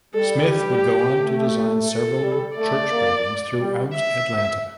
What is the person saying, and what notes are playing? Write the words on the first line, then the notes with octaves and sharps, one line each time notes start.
Smith would go on to design several church buildings throughout Atlanta.
G3 A4
G4
A3
A4
G3
A3 D5
A#3
G3
E5